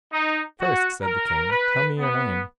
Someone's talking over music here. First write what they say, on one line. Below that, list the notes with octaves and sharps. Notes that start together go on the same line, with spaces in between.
First, said the king, tell me your name.
D#4
F#4
A#4
B4
B3